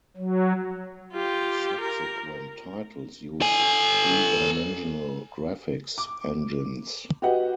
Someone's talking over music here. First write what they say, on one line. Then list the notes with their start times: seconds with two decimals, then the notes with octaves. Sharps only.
Subsequent titles use three-dimensional graphics engines.
0.17 F#3
1.13 F4 G4
1.81 A#4
3.42 A4 G#5
5.98 D6
7.22 F#4 G4 B4 D#5 F#5